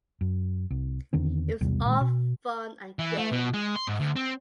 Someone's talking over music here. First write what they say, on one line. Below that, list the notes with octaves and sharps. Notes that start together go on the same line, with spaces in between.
It was all fun and games.
F#2
C2
E2 D3 D#3 C4
B1 E2 C3 G3
A#2 D#3 G#3
B2
E3
A3
B2
G#3
C6
G#2
D2
C4